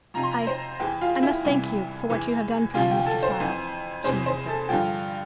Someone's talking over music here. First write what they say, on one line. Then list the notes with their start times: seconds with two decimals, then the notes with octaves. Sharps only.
"I--I must thank you for what you have done for me, Mr. Styles," she answered.
0.14 F2 C3 F3 A#5
0.23 C6
0.32 A#5
0.47 C5
0.79 E2 E3 G4
1.01 F4
1.23 E4
1.45 C2 C3 E3
2.10 E2 E3
2.74 D2 C3 F3 F4
2.91 G4
3.06 A4
3.23 C5
3.40 F2 E3
4.04 E2 C3 E3 C5
4.26 C5
4.48 A4
4.69 G2 D3 F3 G4